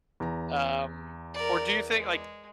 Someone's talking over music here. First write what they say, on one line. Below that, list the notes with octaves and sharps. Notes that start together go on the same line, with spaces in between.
Um, or do you think like,
E2 A#5
A#4 D5
G#3